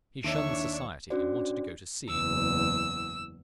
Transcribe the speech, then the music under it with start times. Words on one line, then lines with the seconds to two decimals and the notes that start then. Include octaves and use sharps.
He shunned society and wanted to go to sea.
0.24 D#2 D#3 D4 D#4 C#5 E5 C#6 E6
1.10 C#4 D4 F#4 C5 D5
2.10 F#1 E2 E6